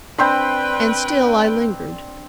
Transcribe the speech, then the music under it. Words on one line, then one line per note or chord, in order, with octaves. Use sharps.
And still I lingered.
C4 D4 B4 G5 B5 C6 G6